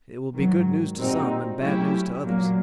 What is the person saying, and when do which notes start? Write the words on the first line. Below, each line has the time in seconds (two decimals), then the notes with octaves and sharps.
It will be good news to some, an' bad news to others.
0.33 G#2 D#3 F#3
0.96 A#2 G3 C4 D#4 F#4
1.60 F#3 A3 C#4 E4 G4
2.23 A#2 F#3 A#3